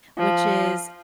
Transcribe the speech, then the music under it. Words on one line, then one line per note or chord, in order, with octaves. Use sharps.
which is
F3